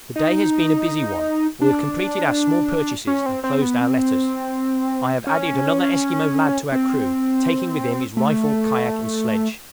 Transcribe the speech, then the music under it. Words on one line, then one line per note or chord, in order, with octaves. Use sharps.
The day has been a busy one: we have completed our small purchases and closed our letters; I have added another Esquimaux lad to our crew, taking with him his rifle, kayak, and sledge.
D#4
D4
C#4
C4
C4
B3
C4
C#4
C4
A3